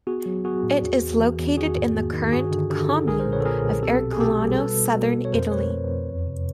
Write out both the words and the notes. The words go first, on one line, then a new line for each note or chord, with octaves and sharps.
It is located in the current "commune" of Ercolano, southern Italy.
B3 F#4 G#4
F#3
B3 F#4 G#4
A2
E2
E2
E3
E2
D#3 F#4 G#4
G#2
A#3
D#3
G2 F#4 G#4
D3
D3 G4 A4
D3
B1 G#4 A#4
A#4 C5
A#2
B4 C#5
A4
A#2 G#4 A#4
B1
C4 G4 A4
B2
G#4
B2 G4 A4
G3
B2 A4 B4
B2
B2
B2
C#5
F2 A#4 C5
A3 B4 C#5
F2
F2
E2
C3